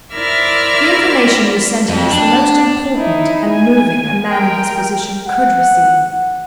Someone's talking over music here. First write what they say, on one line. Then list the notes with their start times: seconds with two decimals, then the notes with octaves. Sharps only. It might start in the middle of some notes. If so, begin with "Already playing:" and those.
"The information you sent him is the most important, and moving, a man in his position could receive."
0.15 E4 A#4 C5 D5 E5 F6
1.89 F2
2.11 D4
2.96 D#4 E4
3.50 G#5
4.28 A#4 G5
5.27 F#5